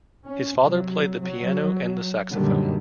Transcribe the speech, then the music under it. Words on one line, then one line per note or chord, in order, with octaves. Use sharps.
His father played the piano and the saxophone.
C#4
C3 F#3
F#3
F#2 A#2 D3 D#3 F#3 G3